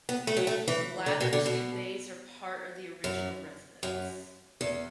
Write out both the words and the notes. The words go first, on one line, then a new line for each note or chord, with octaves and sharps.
The latter two bays are part of the original residence.
B3
A3
F#3
A3
E3
D3
B2
D3
B2
F#2
F#2
E2